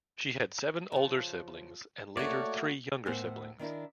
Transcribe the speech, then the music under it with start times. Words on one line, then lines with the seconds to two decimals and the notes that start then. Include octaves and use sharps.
She had seven older siblings and later three younger siblings.
0.92 C#3 F3
2.17 A3 A#3 F#4 C#5 D5
3.06 A2 B3 A#4 C5 F#5 G#5
3.59 D#3 D4 E4 A#4